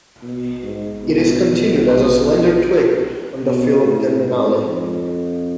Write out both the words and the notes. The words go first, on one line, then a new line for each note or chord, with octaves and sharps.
It is continued as a slender twig on the filum terminale.
B2
G#2
B2
B2
A2
G#2
F2